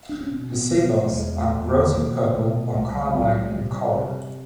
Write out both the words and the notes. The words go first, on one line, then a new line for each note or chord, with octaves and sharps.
The sepals are rosy purple or carmine in color.
D4
C#4
B2 C4
B3
B2 B3
A3
A3
E2 G#3
A3
E2
A#3
B2 A#3
B2 A3
C2 A3
G#3
G3
G#3
C2 F#3
G#3
C3 G3
C3